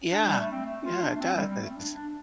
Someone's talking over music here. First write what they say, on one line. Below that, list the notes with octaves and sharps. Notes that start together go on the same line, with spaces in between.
Yeah. Yeah, it does.
D4
G3
A3
C4
A3
F4
D4
A3
C4
G3
G3
A3
C4
D4
D4